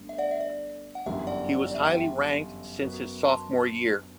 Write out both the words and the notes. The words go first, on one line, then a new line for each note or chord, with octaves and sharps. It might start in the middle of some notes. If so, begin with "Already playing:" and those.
He was highly ranked since his sophomore year.
Already playing: G1 G2 D3 A3
E5
D5 F#5
E5
D5
F#5
G1 F#2 E3 G3 E5
D5 F#5
D5
E5
F#5
E5 G5
F#2 F#3 B3 F#4 B4
A5 C6